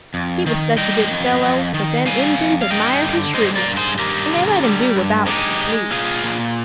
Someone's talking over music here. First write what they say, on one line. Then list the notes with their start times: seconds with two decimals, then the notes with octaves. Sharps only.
He was such a good fellow that them Injuns admired his shrewdness, and they let him do about what he pleased.
0.14 F2
0.46 D#3
0.78 G3 D#5 G5
1.10 F2
1.42 F2
1.74 D#3
2.06 G3 F5 G#5
2.38 F2
2.62 F5
2.70 G2 D#5 G5
3.02 D3
3.34 G3 C5 D#5
3.56 A#4 D5
3.67 G2
3.77 G#4 C5
3.98 G2 G4 A#4
4.31 D3
4.63 G3
4.96 G2
5.27 G#3 D#4 G4
5.60 G#3
5.91 A#2 F4 G#4
6.24 A#2